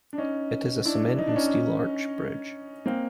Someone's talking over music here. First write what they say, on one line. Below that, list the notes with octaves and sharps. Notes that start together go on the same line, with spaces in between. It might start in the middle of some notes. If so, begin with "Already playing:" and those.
It is a cement and steel arch bridge.
D4
C#4 D#4
D4 E4
D#4
D4
C#4 D#4
A#3 C4